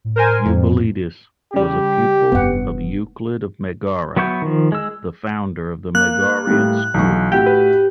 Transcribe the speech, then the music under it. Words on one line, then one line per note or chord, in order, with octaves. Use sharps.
Eubulides was a pupil of Euclid of Megara, the founder of the Megarian school.
A2
A#4 C5 G#5
F2 A2
C#3 G3 G4
F1 G2 B3 F#5
F#3 B3 E4 C#6 G6
D#3 F3
G#3 E6
A#3 F#6
A2 G3
B1 E3 B3 C#6
A2 E4 F#4 G4
B4